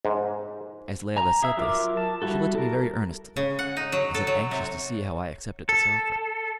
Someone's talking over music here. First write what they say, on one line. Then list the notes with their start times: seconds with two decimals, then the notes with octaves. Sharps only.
As Layelah said this she looked at me very earnestly, as if anxious to see how I accepted this offer.
0.05 G#2
1.17 G#5 A#5
1.43 G#4 E5 E6
1.57 F#3 F4 A#4 E5 D6
1.97 A5
2.22 G3 E4 F#4 A4
2.55 A4 A#4
3.36 C#3
3.59 F#5
3.77 D#4
3.92 F#3
4.14 A4
4.27 F#3
4.51 C3
5.69 A4